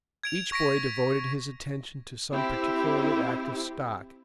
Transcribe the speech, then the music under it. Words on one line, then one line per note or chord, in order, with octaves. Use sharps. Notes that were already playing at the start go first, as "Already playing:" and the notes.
Each boy devoted his attention to some particularly active stock.
G#6 D7 F7
C#6 A#6 B6 D7
C4 E4 G4